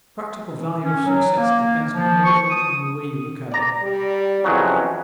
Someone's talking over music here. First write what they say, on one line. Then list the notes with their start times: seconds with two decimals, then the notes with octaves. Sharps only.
The practical value of success depends not a little on the way you look at it.
0.83 C#4
1.04 F#3
1.37 A#3
1.92 F3
2.25 C#6
2.50 D#6
3.52 D5 A#5
3.82 G3
4.44 F2 C#3 E3 F#3